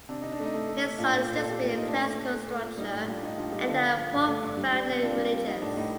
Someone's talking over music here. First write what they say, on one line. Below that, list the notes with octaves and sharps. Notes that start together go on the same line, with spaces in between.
His sonnets display a classical structure, and are profoundly religious.
C3 D4
C3 D#4
D4
A3 D#4
A3
A3
A3
A#2 D4 F4
A#2
A#2
A4
A#2
G4
A3 F4
A#2 D#4
A3 D4
A3
A3
A3
A3
A#2
G3 D#4
A2 D#4
G3 D4 F4
A2 D#4
G3 D4 F4
G3 D#4 G4
D3 D4 F4
F3
F3
G2
A3
G2
G3
G3
C3
C3 D4 F4
G3
G3
G3 D#4
A2 D4
A2 D#4